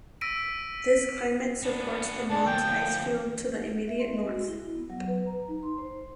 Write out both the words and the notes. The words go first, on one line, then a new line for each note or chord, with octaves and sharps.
This climate supports the Mons Icefield to the immediate north.
E6 A#6 B6 D7 D#7
B3 D4
G#2 D4 A5
D3 F3 G5
E5
C4
D#5
F#4
E4
B3
F#3
B4
A#5
D#4
C6
C5